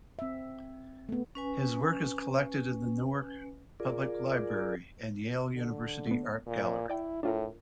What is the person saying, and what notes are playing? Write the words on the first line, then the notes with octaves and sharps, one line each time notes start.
His work is collected in the Newark Public Library and Yale University Art Gallery.
C4 E5
A3 B3
C#4 B4 G#5
F4 G#4 A#4 D5
D3
A3 B3
A#2
E4 D5 G5
A2 D4 F4 A#4